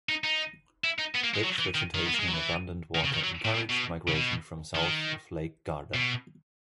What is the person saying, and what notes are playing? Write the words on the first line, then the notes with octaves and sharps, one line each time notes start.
Rich vegetation and abundant water encouraged migration from south of Lake Garda.
D#4
D#4
E4
D#4
B3
A#3
G#3
F#3
E3
D#3
D#3
B3
A#3
G#3
F#3
E3
D#3
C#3
D#3
F#3
A#2
B2
B2
C#3
B2
D#3
B2